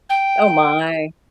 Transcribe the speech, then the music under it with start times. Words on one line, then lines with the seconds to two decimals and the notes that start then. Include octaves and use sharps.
oh my,
0.09 G5